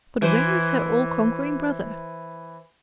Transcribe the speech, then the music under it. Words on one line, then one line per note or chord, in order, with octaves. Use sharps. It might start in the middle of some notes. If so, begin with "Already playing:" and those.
But where is her all-conquering brother?
E3 C5